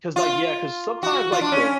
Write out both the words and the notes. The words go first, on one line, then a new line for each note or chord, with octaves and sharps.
'cause, like, yeah, 'cause sometimes, like, the
F4
F#4
F4
D4
C#4